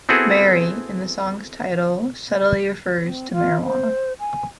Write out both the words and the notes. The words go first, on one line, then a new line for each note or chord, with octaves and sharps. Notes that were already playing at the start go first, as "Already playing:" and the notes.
"Mary" in the song's title subtly refers to marijuana.
B3 C4 E4 F#4 G#4 A4
C4
F4
C5
G#5